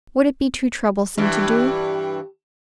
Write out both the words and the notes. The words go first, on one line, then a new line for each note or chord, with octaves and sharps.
Would it be too troublesome to do?'
G2 E3 G4